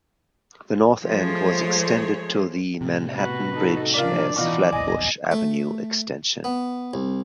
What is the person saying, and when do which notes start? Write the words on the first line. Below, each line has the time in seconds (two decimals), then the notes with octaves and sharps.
The north end was extended to the Manhattan Bridge as Flatbush Avenue Extension.
1.05 F3 G#3 A3 G#4 C5 C#5
2.81 A2 C3
3.17 B2 F#4 B4
3.52 D#4 F#4 A4
3.94 C#3 F3 D4 F4 A#4 D5 B6
4.36 B2 E3 D#4 F4 D5
4.72 D1 A#1 E2 D#5 G#5
5.31 A3
6.44 B3
6.94 C2